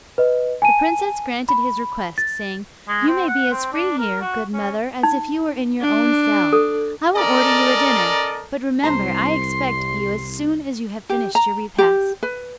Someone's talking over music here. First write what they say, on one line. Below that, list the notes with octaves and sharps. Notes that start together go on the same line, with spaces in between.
The princess granted his request, saying, "You may be as free here, good mother, as if you were in your own cell: I will order you a dinner, but remember I expect you as soon as you have finished your repast."
B4 D#5
G#5 A5 D#7
B5
A6
G#3
C4
F#5
C4
D4
A#4
F#4
C#4
D#4
D4
A4
C#4 A4 A#4 D5 D#5 A#5
C2 C5 A#5 C6
G4
A#5
G4
B4